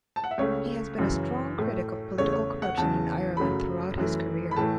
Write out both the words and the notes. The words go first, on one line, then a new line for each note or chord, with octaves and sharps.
He has been a strong critic of political corruption in Ireland throughout his career.
A5
F#5
E5
C#2 C#3 A3 C#5
F#2 C#3 E3
A2 A3
E2 C#3 A3 C#5
C#5
F#5
E2 C#3 E3 A5
F#2 C#3 F#3 A3 B5
F#2 E3 A3
B5
A2 E3 A3 A5